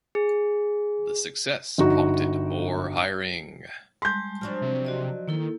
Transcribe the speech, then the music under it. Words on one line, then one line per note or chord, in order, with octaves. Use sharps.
The success prompted more hiring.
G#4
G1 D#4 F#4
G3 G#3 A5 C6 G6
F3 F#3 D4
C3
F#4 D5 D#5
D#3 A#3 E4 A4